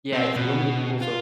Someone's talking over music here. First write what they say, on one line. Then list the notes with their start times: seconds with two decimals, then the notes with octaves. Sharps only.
Yeah, it's a limited pool, so
0.13 C4
0.36 B2
1.02 F4